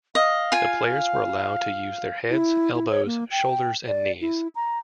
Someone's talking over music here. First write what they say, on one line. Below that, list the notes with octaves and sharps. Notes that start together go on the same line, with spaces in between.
The players were allowed to use their heads, elbows, shoulders and knees.
D#5 F5
F4 G#5
E4
E4
C#5
A#3
G5
D5
E4
A#5